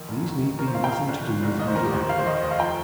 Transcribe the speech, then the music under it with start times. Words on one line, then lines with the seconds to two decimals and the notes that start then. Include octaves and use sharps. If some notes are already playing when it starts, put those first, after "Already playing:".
These need be nothing to do with you directly.
Already playing: A#1 D#3
0.08 F1
0.24 D#2
0.42 D#3
0.59 D#2 A#4
0.67 C5
0.75 D#3 F5
0.84 G5
0.91 F3 F5
1.08 G1
1.25 F3
1.43 C2
1.59 D#2 D#5
1.67 C5
1.75 D#3 A#4
1.85 G4
1.93 D#2 C5
2.09 D#3 F5
2.19 C5
2.26 D#3 D#5
2.35 C5
2.42 F1 D#5
2.51 F5
2.59 F3 G5